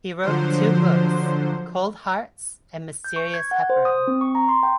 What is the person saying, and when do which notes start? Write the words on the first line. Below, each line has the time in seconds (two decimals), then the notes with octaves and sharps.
He wrote two books, "Cold Hearts" and "Mysterious Heparin".
0.23 D3 F3 F#3 C5
3.04 G6
3.16 C#6
3.34 G#6
3.51 F#5
3.70 C5
3.85 D#6
4.07 C4
4.21 C#6
4.35 A#5
4.49 C6
4.63 G5